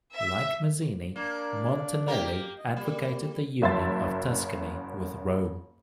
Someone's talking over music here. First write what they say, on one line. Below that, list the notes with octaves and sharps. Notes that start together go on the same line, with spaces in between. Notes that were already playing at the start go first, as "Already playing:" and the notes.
Like Mazzini, Montanelli advocated the union of Tuscany with Rome.
E5
A#3 D4 D5
A#3 G4 A#4
D#5
G3 A#3
F#1 F#2 E5 A5 C6 A6